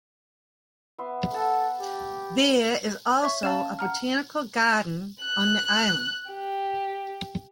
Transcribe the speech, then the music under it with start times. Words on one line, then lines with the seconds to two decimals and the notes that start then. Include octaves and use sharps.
There is also a botanical garden on the island.
0.98 B3 E5 C6
1.33 A4 F#5 A5
1.80 G4
3.22 C#5 E5 C#6
3.43 C#4 F5 A5 E7
3.79 F#5 A#5 F6
5.21 F#6
6.31 G4